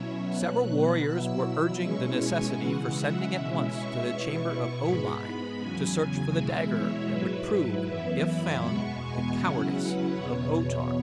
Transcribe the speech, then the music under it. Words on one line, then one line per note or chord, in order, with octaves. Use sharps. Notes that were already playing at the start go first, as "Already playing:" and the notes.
Several warriors were urging the necessity for sending at once to the chamber of O-Mai to search for the dagger that would prove, if found, the cowardice of O-Tar.
Already playing: B2 F#3 C#4 E4 C#5 E5
B2 F#3 B3 F#6
B2 F#3 E4 E6
E6
B2 G#3 C#4 E4 C#6
G#5
C#3 E3 G#3 F#5
E5
B2 G#3 C#4 E4
C#6
B2 B3 E4
G#2 G#3 B3 B5
B5
E2 C#3 F#3 G#5
E2 B2 G#3 E4 E5
C#5
G#2 F#3 E4 B4
F#2 E3 B3 E4 E5
B5
E2 B2 G#3 B3 C#6
G#5
C#3 F#3 C#4 E4 F#5
B4
E2 B2 B3 C#5
C#5